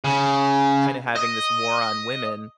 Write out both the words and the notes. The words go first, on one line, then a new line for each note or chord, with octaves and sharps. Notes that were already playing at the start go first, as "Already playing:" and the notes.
kinda having this war on women,
C#3
D#5